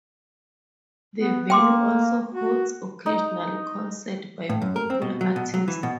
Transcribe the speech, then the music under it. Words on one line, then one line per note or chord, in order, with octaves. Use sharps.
The venue also hosts occasional concerts by popular artists.
B3
A#3 G5 C6 D6
F#4
D#4
A2
F#2
A#4
C4
B2
F#3
B2
F#3
E3
B2